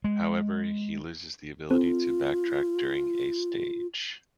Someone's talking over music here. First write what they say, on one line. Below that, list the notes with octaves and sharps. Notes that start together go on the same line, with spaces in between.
However, he loses the ability to backtrack during a stage.
G#3
C4 F4 A4